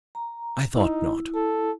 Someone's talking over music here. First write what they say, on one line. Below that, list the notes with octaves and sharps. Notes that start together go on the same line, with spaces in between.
I thought not.
A#5
D#4 E4
A4